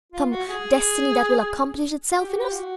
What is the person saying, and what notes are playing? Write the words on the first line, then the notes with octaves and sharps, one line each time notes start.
Some Destiny that will accomplish itself in us.
F4
F#4
G#4
G4
F#4
G4
F4
F#4